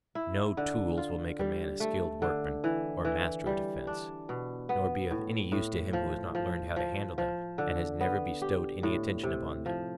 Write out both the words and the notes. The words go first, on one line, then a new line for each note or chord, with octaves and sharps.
No tools will make a man a skilled workman, or master of defence, nor be of any use to him who has not learned how to handle them, and has never bestowed any attention upon them.
E4
D3
F4
G3
A3
D3
E3
E3
G3
D4
B2
B3
A2
A2
F3
F3
F3
F3
D3
B3
G4
A2
C3
F3